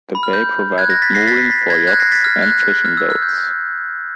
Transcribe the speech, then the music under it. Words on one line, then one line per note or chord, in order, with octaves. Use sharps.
The bay provided mooring for yachts and fishing boats.
B5
F6
G6
F#6 G#6
G#6 A#6
A6 B6
A#6 C7
A6 B6
A6 B6
A6 B6
G#6 A#6
F#6 G#6
A#6 C7
A6 B6
F6
F#6
F#6
F6
E6
F6
G6